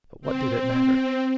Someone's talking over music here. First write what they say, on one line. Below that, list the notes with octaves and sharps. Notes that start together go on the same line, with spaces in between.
But what did it matter?
C4